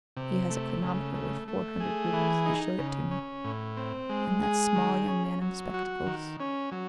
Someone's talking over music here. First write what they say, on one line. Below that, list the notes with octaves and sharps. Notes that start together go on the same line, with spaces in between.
"He has a chronometer worth four hundred roubles; he showed it to me." And that small young man in spectacles....
C3
A3
C#3
A3
A3
G#4
E3
D#4
C#3
C#4
A2
C4
G#3
G#4
D#3
C#4
F#3
F#4
D#3
C#4
F#3